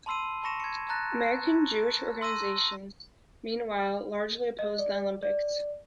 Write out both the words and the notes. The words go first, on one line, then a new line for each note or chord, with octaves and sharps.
American Jewish organizations, meanwhile, largely opposed the Olympics.
A5 B5 C6 E6 C7 D#7
A5 B5 C#6 A#6 C#7 E7
G#6 C#7
A5 A#5 F#6 A6 A#6
C6 E6 A#6 D#7
D#5
D5
D5